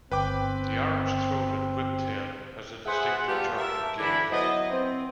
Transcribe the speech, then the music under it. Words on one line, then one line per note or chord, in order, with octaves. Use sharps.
The orange-throated whiptail has a distinctive, jerking gait.
G1 C4 B4 G5 D6
G#4 B4 C5 E5 F#5
G3 B3 F4 G4 A4
A#4 E5 A5
D3 E3 D4 E4 B5
F#3 B3 E4 C5 D#5
C4